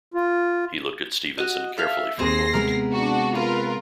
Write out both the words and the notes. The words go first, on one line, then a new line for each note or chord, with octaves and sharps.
He looked at Stevenson carefully for a moment.
F4
F#4 D#5
A4 E5 F5
D#2 C4 G4 G#4 C5 A#6 C7
C3 G#3 B3 A#4
D4 F#4
F4 A#4 B4